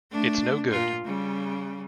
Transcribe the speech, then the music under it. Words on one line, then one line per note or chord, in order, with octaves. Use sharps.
It's no good.
A3 D4
A#2 F4
C#3 G3